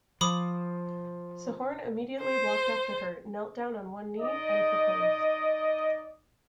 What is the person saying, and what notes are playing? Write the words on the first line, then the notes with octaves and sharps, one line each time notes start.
Sehorn immediately walked up to her, knelt down on one knee and proposed.
F3 B5 D6 D#6
C5
D#4 D5 D#5